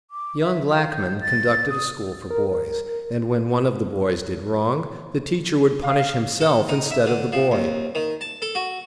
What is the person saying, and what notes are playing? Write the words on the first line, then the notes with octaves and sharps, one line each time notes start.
Young Lackman conducted a school for boys, and when one of the boys did wrong, the teacher would punish himself instead of the boy!
D6
E5
F5
G6
A6
D#6
A#4
F5
A4
D#4
E5
D3
F3
D#2
D#3
A5
A4
F#4